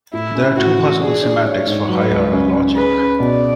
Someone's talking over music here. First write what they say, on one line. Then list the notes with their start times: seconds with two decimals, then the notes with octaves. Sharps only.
There are two possible semantics for higher order logic.
0.13 A2 E4
0.35 C#4
0.57 A2 F#4
0.79 E3
1.01 D4 G#4
1.23 D4
1.45 D4 C#5
1.67 G#2
1.89 F#3 B4
2.11 C#2
2.33 C#4
2.54 C#4
2.76 G#4 B4
2.99 C#4
3.20 B2 D5